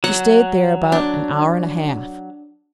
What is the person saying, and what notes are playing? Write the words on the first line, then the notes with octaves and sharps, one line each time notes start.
She stayed there about an hour and a half.
F#3 F#5
D4